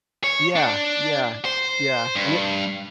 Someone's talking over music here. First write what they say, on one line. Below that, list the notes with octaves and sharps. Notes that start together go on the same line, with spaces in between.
yeah, yeah, yeah, and it
C#5
D4
C5
G2